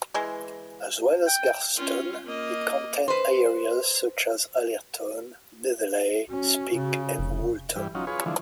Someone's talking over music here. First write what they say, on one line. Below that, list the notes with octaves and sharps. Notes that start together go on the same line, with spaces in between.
As well as Garston, it contained areas such as Allerton, Netherley, Speke and Woolton.
E3 G#3
G5
C#4 F4
A#3 D#5
B4 C5
C#4 F#4
C#3
F1
G2 E3 G3
F#3 C#4 D#4 F4
F4 G#4 B4 C#5
D3 E3 F3 G#3